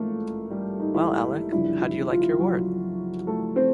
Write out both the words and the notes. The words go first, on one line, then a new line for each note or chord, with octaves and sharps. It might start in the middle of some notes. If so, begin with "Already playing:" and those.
Well, Alec, how do you like your ward?
Already playing: A1 G#2 F3 A3 A#3 A4
G3 G4
D#4
E4
F#1 F2 D3 G3 E4
E4
F3 F4
E4
F4
F#3 F#4
A3 A4
C4 C5